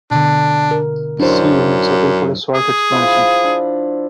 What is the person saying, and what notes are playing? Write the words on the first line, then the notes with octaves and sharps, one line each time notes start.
See unit circle for a short explanation.
B2 D3 D4
A#4
F#2 D4 E4 C5
G#4
F3 E4
D4